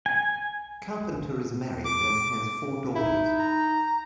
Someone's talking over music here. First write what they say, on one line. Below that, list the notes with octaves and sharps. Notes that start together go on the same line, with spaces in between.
Carpenter is married and has four daughters.
G#5
D6
D#4 E4
A#5